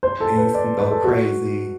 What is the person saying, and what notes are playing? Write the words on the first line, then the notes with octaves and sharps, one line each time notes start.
things can go crazy,
C5
A4
B4
D5
B4
A4
F#4